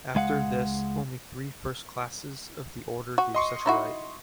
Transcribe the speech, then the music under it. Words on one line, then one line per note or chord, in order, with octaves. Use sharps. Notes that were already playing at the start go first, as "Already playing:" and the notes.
After this only three first classes of the Order gave such a right.
C#2 G#3 F5 F#5
F#4
D#5 C6 C#6
D#4 E4 F#4